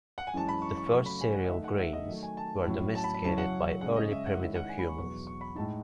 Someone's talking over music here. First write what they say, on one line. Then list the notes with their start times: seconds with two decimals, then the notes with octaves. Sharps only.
The first cereal grains were domesticated by early primitive humans.
0.18 F#5
0.27 G#5
0.34 F#2 E3 G#3 C#4 A5
0.49 B5
0.62 C#6
0.77 C#6
0.91 C#3 F#3 A3 C#6
1.06 B5
1.21 G#5
1.34 F#5
1.44 D#5
1.49 D#3 A3 D#4 E5
1.64 F#5
1.78 E5
1.93 D#5
2.07 D#3 F#3 A3
2.23 G#5
2.37 A5
2.65 A2 F#3 C#4 E4
2.95 A5
3.04 B5
3.14 B5
3.24 F#2 C#3 F#3 C#4 E4 A5
3.38 F#5
3.81 C#3 G#3 C#4 F#5
3.96 D#5
4.11 E5
4.26 F#5
4.39 D#3 G#3 C#4 E4 E5
4.55 F#5
4.69 G#5
4.79 B5
4.88 C#6
4.98 E2 B2 F#3 C#6
5.27 C#6
5.41 B5
5.55 A2 G#3 D#4 A5